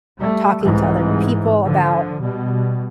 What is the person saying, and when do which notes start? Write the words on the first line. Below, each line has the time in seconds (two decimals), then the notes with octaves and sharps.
talking to other people about
0.18 G3 A3
0.61 C2 G#2 C3 E3 G#3
1.65 D3 F3
2.21 B2 G3